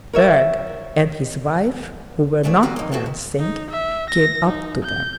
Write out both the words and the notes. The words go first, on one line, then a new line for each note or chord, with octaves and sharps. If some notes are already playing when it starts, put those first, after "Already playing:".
Berg and his wife, who were not dancing, came up to them.
A#4 C#5 E5
D2 C#3 A3 D4 D5
D3 A#3 F#4 G4 G#5
A#3 D#4
E3 B3 C4 F#4 A4
D#3
D#4
E5
A#6
D#4
G6